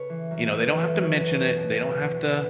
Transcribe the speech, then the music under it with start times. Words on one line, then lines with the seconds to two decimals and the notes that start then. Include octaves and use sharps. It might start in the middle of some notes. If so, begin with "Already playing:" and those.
you know, they don't have to mention it, they don't have to
Already playing: C#3 A4 B4 C#5
0.09 E3
0.31 F#2
0.51 F#2 B4
0.72 E3
0.83 A4
0.94 F#2
1.05 C#5
1.14 E2 B4
1.36 B2
1.57 B2
1.77 B2 B4
1.98 E2
2.19 E2
2.31 B4